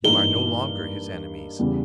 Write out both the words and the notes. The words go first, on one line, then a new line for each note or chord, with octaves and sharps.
You are no longer his enemies.
G2 E3 A#3 D#4 A#4 G7
E2 C#3 G3